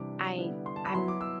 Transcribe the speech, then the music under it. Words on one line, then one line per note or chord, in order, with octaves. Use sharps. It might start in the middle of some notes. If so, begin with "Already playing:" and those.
I I'm
Already playing: C3 E3 G3 D4 D6
D3 G3 B3 E4
C6
A5
B5
F#3 B3 E4 C6
D6
E6